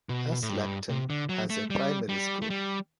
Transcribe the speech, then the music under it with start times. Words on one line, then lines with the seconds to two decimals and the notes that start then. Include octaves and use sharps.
Aslacton has a primary school.
0.09 B2
0.43 A2
0.50 G2
0.89 C3
1.10 D3
1.29 F#3
1.50 A3
1.70 G3
2.09 G3
2.42 A3
2.50 G3